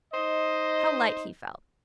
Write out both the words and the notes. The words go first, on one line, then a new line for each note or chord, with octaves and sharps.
How light he felt!
D#4 C5 D#5